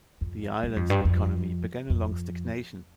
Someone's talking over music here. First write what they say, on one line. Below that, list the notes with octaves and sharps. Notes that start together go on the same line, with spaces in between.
The island's economy began a long stagnantion.
F2
G2
F2
G2
F2
F2